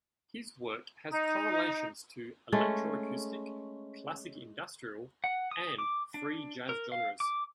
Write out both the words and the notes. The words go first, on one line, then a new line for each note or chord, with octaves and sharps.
His work has correlations to electroacoustic, classic industrial and free jazz genres.
D#4
G#3 A3 C#4
F#5
D#6
D6
D4
A#4
F5
D6